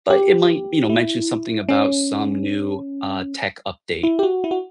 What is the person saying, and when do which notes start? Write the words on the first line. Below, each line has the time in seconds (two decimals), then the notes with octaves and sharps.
but it might, you know, mention something about some new, uh, tech update,
0.10 G4
0.89 E4
1.69 C#4
4.03 E4
4.19 G4
4.23 F#4
4.44 E4
4.51 F#4